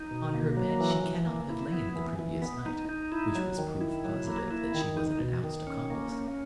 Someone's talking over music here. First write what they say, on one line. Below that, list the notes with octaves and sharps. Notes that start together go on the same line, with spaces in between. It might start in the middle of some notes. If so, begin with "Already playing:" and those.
On her bed she cannot have lain the previous night, which was proof positive that she was an announced accomplice.
Already playing: D#4
B2
A#3
F#3
E3
E3
A#3
E4
B3
E3
E3
B3
D#4
D#4
E4
F#3
D#3
E4
F#3
A#3
E4
D#3
D#4
B2
D#3
C#4
A#3
C#4